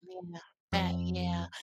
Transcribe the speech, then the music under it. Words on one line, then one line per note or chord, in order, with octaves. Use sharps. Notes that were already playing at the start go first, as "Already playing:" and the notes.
Yeah, that yeah.
F2